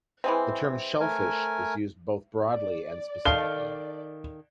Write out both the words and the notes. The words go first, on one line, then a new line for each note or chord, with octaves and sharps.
The term "shellfish" is used both broadly and specifically.
E3 G#3 C4
A3 A#4 G#5
D5
D#3 A4 F5 G7